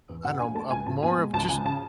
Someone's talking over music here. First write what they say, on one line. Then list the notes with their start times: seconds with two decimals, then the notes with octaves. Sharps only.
I don't know uh, a more of just
0.09 E2
0.24 B2 F#5
0.39 D4 G#5
0.55 A3 A5
0.71 C#2 G#5
0.86 B2 A5
1.03 B3 G#5
1.18 G#3
1.33 C#2 A5
1.49 C#3 G#5
1.65 C#3 A5